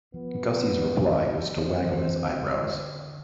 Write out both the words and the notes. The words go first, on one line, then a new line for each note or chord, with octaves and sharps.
Gussie's reply was to waggle his eyebrows.
F3 B3
F3 C4
F3
E3
D3